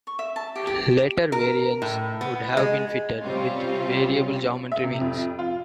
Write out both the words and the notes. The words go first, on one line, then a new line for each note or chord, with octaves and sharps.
Later variants would have been fitted with variable-geometry wings.
C#6
E5
A5
G4
G4
A#4
A2
B3
G#3
C3 G3 C4 C#4 F4
E5
C3
F2
F4